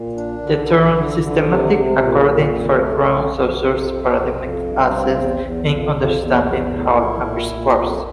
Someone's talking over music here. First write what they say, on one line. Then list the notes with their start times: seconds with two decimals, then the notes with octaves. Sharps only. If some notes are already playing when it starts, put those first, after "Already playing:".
The term "systemic" accordingly foregrounds Saussure's "paradigmatic axis" in understanding how language works.
Already playing: A#2
0.16 D4
0.43 D3
0.69 E4
0.95 D3
1.21 D3
1.48 C3
1.74 C3
2.00 A#2
2.26 A#2
2.52 F2
2.78 A3
3.05 F2
3.31 F2
3.57 F2
3.83 C4
4.10 F2
4.36 F2
4.62 G2
4.88 C4
5.15 E2
5.40 E2
5.67 F2
5.93 F2
6.20 E2
6.45 E2
6.72 A2
6.98 E4
7.24 A#2
7.51 A#2
7.77 F2